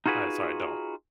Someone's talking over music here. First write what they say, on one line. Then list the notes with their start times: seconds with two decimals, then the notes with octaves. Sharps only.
Alright, sorry, I don't.
0.06 D#4 F4 F#4 G#4 B4